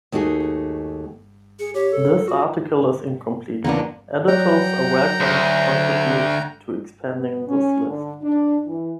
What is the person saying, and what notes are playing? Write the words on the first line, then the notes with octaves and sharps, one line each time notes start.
This article is incomplete, editors are welcome to contribute to expanding this list.
D#2 A3 D#4 F#4 G#4
G#4 C#7
G4 C#5
A4
F4 F#4
E2 C#3 A#3 B3 D4
F#3 C#5 D5 F#5 G5 A#5
D2
B3
C#4
D3
D4
E3